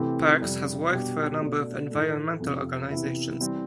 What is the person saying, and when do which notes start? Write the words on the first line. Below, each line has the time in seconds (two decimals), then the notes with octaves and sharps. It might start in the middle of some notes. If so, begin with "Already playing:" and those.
Perks has worked for a number of environmental organizations.
Already playing: C3 E3 A3 C4 G4
0.41 F2 C3 G3
0.90 B2 G3 D4 G4
1.41 B2 A3 D4
1.91 A2 E3 A3
2.40 F2 C3 F3
2.90 C3 E3 B3 E4
3.40 E3 G3 C4